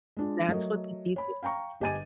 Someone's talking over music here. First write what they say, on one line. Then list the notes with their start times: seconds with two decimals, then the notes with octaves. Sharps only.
that's what the DC
0.17 G#3 D4 F4
0.48 F#3 A3 A#4 D#5
1.16 C#5 B5
1.43 F5 G5 A#5 C#6
1.80 G1 G4 D#5 G#5 A6 D#7